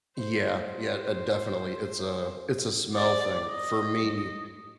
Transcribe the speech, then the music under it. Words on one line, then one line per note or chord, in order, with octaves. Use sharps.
Yeah, yeah, uh, definitely. It's a it's a smell thing. For me,
C5
C5
D5
D#5